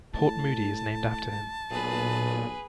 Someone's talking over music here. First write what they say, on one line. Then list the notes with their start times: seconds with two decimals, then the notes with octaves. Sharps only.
Port Moody is named after him.
0.15 A2 A5
1.71 B1 A#2 G#4 B4